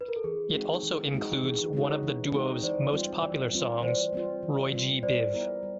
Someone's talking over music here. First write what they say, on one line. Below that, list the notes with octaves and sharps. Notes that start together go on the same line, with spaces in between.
It also includes one of the duo's most popular songs, "Roygbiv".
B4
A#4
A4
E3 G#4
G#3 C4 D#4 F#4
E3
G#3 C4 D#4 F#4
E3 G#4
G#3 C4 D#4 F#4
C#5
E3
G#3 C4 D#4 F#4
E3 C5 D5
G3 C4 F4
E3
G3 C4 F4
E3 C5 D5
G3 C4 F4
E3
G3 C4 F4
G3 C5 D5
B3 E4 G4 A#4
G3